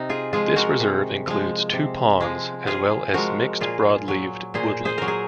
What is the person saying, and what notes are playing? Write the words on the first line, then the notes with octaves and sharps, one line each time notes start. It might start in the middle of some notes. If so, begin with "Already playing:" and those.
This reserve includes two ponds, as well as mixed broadleaved woodland.
Already playing: C3 D#4
F4 G#4
F3 G#3 F4 G#4
F#4 A#4
C3
F3 G#3
C3
F3 G#3
C3 F4 G#4
F3 G#3 F#4 A#4
A#2 F4 G#4
F#3
A#2 G#4 C5
G#4 C5
F#3 A#4
G#4